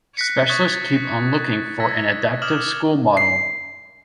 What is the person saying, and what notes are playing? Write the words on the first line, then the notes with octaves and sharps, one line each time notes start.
Specialists keep on looking for an adaptive school model.
F#6 A#6 B6 C#7
C#6 D#6 F#6 G#6 A6 B6
E6 G#6 A#6 B6
D6 D#6 F6 E7 F#7
C7